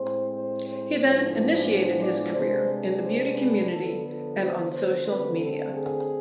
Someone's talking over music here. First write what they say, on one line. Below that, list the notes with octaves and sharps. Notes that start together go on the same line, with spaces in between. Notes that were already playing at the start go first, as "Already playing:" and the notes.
He then initiated his career in the beauty community and on social media.
Already playing: A2 G#3 C4 C5
C5
C5
A2 F3 G#3 B3 D4 C5
C5
C5
D5
C3 G#3 B3 D4 C5
C5
B4
D3 F3 B3 A4
A4
C5
C5
D3 A3 C4 B4
A4
G#4